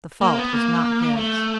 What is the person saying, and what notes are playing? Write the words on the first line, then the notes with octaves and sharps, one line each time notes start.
The fault was not his.
A#3
B3
A#3
A3